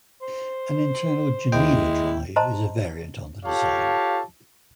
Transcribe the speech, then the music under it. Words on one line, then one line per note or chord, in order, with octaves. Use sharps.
An internal Geneva drive is a variant on the design.
C5
D#2 G#3 E4 G5
C5 D#5 A5 A#5 C6
F4 G4 A4 C#5 F5 A5